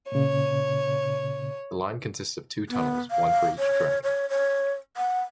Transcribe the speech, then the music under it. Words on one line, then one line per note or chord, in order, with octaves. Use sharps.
The line consists of two tunnels - one for each track.
A#2 C#3 C#5
B3
F5
C#5
C#5
C#5
F#5